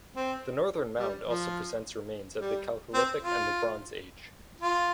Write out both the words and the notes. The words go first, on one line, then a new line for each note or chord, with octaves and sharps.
The northern mound also presents remains of the Chalcolithic and the Bronze Age.
C4
G3
F3
G3
C4
F4
F4